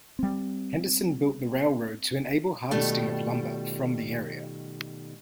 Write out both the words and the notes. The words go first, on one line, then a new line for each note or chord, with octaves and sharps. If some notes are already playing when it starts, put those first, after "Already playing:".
Henderson built the railroad to enable harvesting of lumber from the area.
G3 C4
B2 D#3 G3 A3 F4